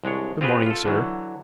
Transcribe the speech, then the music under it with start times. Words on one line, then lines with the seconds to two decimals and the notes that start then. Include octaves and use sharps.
Good morning, sir.
0.04 C2 G#3 D4 C#5
0.41 C4 F4 G4 G#4 B4
0.66 F4 A4
0.85 D3 E3 F#3